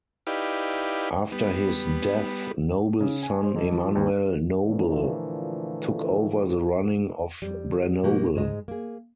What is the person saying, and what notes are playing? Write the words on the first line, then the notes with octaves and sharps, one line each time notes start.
After his death, Nobel's son Emanuel Nobel took over the running of Branobel.
D#4 E4 G4 B4 D5 F5
G3 B3
C#3
G#5
C5
F2
F3
D#2
A#2 D3 E3 F3 A3 A#3
F2 G3
B2 F3 A#3 F#4 G4 A#4
G#2 G#3 D#5
A#3 G#4